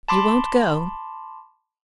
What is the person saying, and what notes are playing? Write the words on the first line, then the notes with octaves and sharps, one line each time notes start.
You won't go.
A5 B5 C6 D6